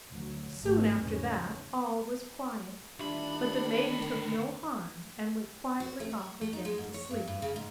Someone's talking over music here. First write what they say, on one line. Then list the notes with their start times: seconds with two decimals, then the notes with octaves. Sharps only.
Soon after that all was quiet, but the Maiden took no harm, and went quietly off again to sleep.
0.12 D2 F#3
0.60 G#1 A3
1.01 E2 G#2 C#3 C#4
2.99 D2 D#3 G3 D4 E4 F4 B5
5.80 F#4
6.00 A3
6.11 C#5
6.41 A3
6.53 D#4
6.65 G#3
6.78 G#2
6.94 C#5
7.11 G2
7.28 G2
7.42 C#3
7.56 G#2